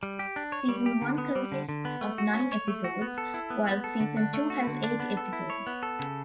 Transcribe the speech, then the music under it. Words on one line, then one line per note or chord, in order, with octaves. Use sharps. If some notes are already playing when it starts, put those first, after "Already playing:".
Season one consists of nine episodes, while season two has eight episodes.
G3
G4
D4
C#5
G3
G4
D3
B3
G3
D3
D3
B3
A3
F#4
C#4
C#5
A3
F#4
B3
A4
E4
B3
B3
A4
D3
D4
A3
F#4
D3
D4
B3
A4
E4
C#5
B3
A4
C#3